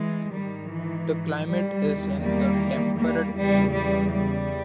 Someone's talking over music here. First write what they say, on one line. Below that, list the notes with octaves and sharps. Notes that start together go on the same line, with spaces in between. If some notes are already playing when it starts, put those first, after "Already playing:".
The climate is in the temperate zone.
Already playing: E3 G#3
G#2 D#3 G3
E3
G3
E2 D#3
G3 A#3
G3 A#3
E2 C#3 E3 G3
G3
G3